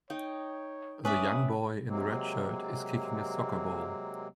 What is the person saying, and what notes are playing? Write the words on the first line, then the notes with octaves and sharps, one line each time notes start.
The young boy in the red shirt is kicking a soccer ball.
D#4 C#5 G5
C#4 B4 D5 E5 D#6
C3 F#3 G#3 A#3 C4